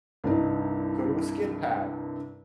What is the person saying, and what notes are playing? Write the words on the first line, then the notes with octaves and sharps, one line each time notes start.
go to a skid pad.
C2 G2 D#4